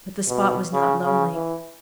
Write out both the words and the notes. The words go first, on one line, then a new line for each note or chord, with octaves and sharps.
But the spot was not lonely.
B2
C#3
C#3
E3